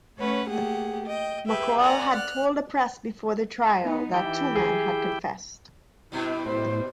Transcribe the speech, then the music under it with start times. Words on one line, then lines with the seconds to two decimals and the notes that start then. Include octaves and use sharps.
McCall had told the press before the trial that two men had confessed.
0.19 A3 C#4 B4 C#5 F#5
0.49 A3 A#3 G4 G#4 F#5
1.07 D#5 G5
1.47 G4 G#4 B4 E5 G5
1.78 D5 F#5 G#5 A#5
2.14 F6 F#6
3.83 B3 D#4
4.14 E3 E4 G4 G5
4.56 G#4
6.12 G2 B2 G3 E4
6.46 A2 C5